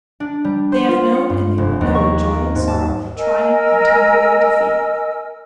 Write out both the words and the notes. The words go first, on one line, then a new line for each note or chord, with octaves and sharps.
They have known and they will know joy and sorrow, triumph and temporary defeat.
D4
G3
C5
F4
C#7
G2
F1
D#2
C#6
A#3
G#2
A5
A#4 D#5 G#5 E6